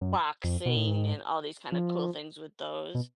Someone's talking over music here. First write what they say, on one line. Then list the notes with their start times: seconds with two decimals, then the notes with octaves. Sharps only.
boxing and all these kinda cool things with those.
0.01 F#2
0.44 F2
0.66 B2
0.76 A2
0.87 G#2
1.72 F3
2.95 B2